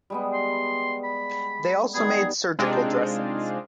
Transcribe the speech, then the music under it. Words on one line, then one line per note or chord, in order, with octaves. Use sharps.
They also made surgical dressings.
G3 G#3 B3
C6
B5
D#3 G3 B3 G#4
C3 G#3 C4 D4 D#4 F4